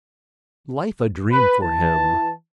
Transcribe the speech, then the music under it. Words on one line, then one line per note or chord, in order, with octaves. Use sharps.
Life a dream for him.
B4
E3 A5